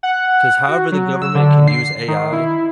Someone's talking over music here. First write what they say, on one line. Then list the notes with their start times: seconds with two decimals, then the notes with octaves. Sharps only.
'Cause however the government can use AI,
0.03 F#5
0.68 F#4
0.92 F#3
1.22 E6
1.35 D3
1.68 C7
2.08 D#3
2.33 E4